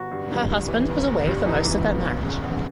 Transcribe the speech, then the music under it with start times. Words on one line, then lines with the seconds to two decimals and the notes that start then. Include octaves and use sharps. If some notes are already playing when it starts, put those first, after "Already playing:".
Her husband was away for most of their marriage.
Already playing: G1 F#4
0.11 G2
0.30 G1
0.50 G2
0.68 E3
0.89 G1
1.07 G1
1.27 G2
1.46 E3 D#4
1.65 E3
1.84 G1
2.03 G1
2.23 C#3
2.42 E2